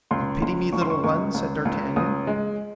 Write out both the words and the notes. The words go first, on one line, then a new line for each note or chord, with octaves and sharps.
"You pity me, little one?" said d'Artagnan.
C#2 C6
C#2 C6
C#2 C#6
C6
C#6
C#2 C#6
C#2
C#2
C#2 D#6
G#3